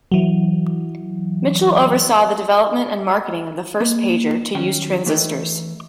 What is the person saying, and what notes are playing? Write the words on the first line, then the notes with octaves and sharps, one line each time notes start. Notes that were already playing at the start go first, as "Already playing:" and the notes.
Mitchell oversaw the development and marketing of the first pager to use transistors.
E3 F#3
A#3
D#3 F#3 C#4 G5
E3 A3 B4 D#5 G5